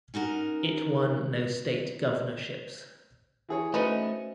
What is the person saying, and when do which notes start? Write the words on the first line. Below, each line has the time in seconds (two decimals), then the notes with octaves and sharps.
It won no state governorships.
0.14 C#4 D#4 F#4 A#4
3.49 E3 G#4 C#5
3.74 A3 C#4 D#4 F#4 B4 C5 D#5 E5